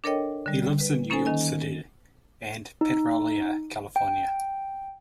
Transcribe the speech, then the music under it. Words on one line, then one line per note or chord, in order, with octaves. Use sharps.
He lives in New York City and Petrolia, California.
D4 A4 A#4 C#5 D#5 G5
D3 G3
B4
A#3 C#4 D#4 A4 C5 G#5
D#3 D#5 G#5
D#4
G5